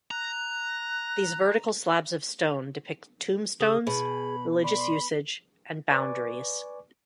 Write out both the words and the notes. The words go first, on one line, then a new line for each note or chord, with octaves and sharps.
These vertical slabs of stone depict tombstones, religious usage, and boundaries.
A#5 F#6
C#3 G#4 D#6
B2 G#4 B5
D5 B5 C6
B4 D5 G#5 C#6 D6